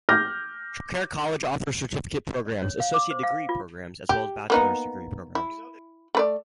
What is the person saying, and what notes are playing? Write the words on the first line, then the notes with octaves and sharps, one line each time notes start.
Trocaire College offers certificate programs, Associate's degree programs, as well as Bachelor's degree programs.
D6 F6 G6 A#6
C#5
F5
D6
C5
F5
F4
G4
A#3 B3 D#4
E4
A3 B4 D5